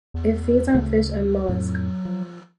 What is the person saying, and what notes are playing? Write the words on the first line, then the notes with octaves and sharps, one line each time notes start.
It feeds on fish and molluscs.
E2
D2 C#3 A3
F2 A2 F#3
F3